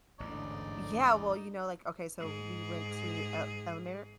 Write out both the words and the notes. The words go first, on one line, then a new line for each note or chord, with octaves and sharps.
yeah well, you know like, okay so we went to el elemer
A1 E2 G#2 D3 D#4 D5
G#2 G#4